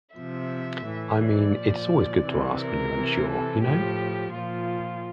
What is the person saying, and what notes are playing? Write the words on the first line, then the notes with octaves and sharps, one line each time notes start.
I mean, it is always good to ask when you are unsure, you know?
C3 F3 E5
A2 E3
D5
A#2 F3
C3 E3
A#4
C3 E3
A4
A2 F3 G4
A#2 F3 F4